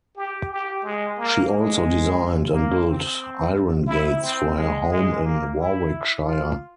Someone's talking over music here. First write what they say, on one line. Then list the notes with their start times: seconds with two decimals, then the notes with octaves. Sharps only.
She also designed and built iron gates for her home in Warwickshire.
0.17 G4
0.51 G4
0.83 G#3
1.18 A#3
1.52 G#3
2.52 A#3
2.86 C4
3.87 E4
4.22 C4
4.55 G#3
4.90 G#3
5.23 A#3
5.57 E4
6.25 F4